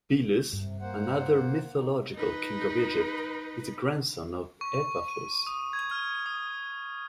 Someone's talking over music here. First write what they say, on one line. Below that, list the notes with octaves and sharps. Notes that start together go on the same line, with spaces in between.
Belus, another mythological king of Egypt, is a grandson of Epaphus.
G2 C3
A#3 C5 F#5
D#4
D#4 B4
C#6
D#7
D#6
G#6
F6
D#6